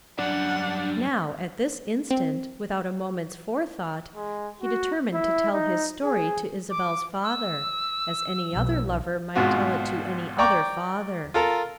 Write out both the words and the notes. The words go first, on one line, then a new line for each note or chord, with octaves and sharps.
Now, at this instant, without a moment's forethought, he determined to tell his story to Isabel's father,--as any other lover might tell it to any other father.
F#2 G3 D4 F#5
C4
G#3
F#4
E4
D#4
G#4
D6
E6
B1
G#1 G#2 B2 F4 F#4
D5 G5 A#5 C#6 D6
F4 A4 A#4